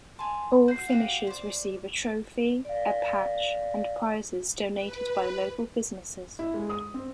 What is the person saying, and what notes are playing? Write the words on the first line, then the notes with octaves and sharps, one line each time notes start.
All finishers receive a trophy, a patch, and prizes donated by local businesses.
G#5 A5 C6
F#4 G6 C7
F#4 G4 F5
C5 D5
D5 F5
B4
E4
G#3
D#6
C4